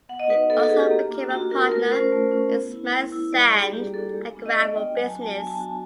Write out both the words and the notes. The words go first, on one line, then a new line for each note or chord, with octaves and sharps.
He also became a partner in Smythe's sand and gravel business.
B3 F#5
D#5
D#4 F#4 B4
B3 A4
A4
D#4 F#4 G#4
G4
A#3
D4 F4
A#3 F#4
D4 F4 A#4
A3 A#4
C#4 F4 C5
A3
C#4 F4
B3
E4
B3
E4
G3 D5
A#3 D4 F#4 G#4
G3 G4
A#3 D4 F#4 A4
G#3
B3 D4 F4
D#5
G#3 D5
B3 D4 F4 G5
F#3 G#5
A5
B3 D4 F#4
A5
F#3 G#5
A5
B3 D4 F#4